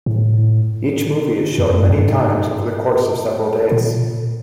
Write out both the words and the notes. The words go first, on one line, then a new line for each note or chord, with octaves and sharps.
Each movie is shown many times over the course of several days.
A2
F2
F#2
G2
G#2
A#2